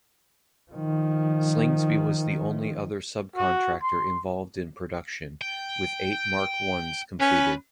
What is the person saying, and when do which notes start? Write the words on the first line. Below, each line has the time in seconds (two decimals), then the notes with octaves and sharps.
Slingsby was the only other sub-contractor involved in production with eight Mark Is completed.
0.72 D#3 F3
3.36 F#4
3.82 C6
5.42 G5
7.21 C#4 B4